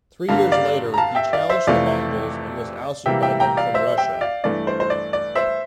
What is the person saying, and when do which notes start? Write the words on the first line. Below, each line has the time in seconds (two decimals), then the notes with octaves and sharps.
Three years later, he challenged the Mongols and was ousted by them from Russia.
0.29 G2 D3 G3 A#3 F5 A5
0.52 D5 F5
0.94 A#5
0.98 F5 A5
1.15 E5 G5
1.33 D5 F5
1.50 C5 E5
1.67 F2 C3 E3 A3 D5 F5
3.06 C3 E3 G3 A#3 E5 G5
3.22 E5 G5
3.40 G5 A#5
3.57 D5 F5
3.74 C5 E5
3.98 E5 G5
4.21 D5 F5
4.44 G2 E3 A3 D5
4.67 C5
4.80 C5
4.90 D5
5.13 D5
5.35 C5 E5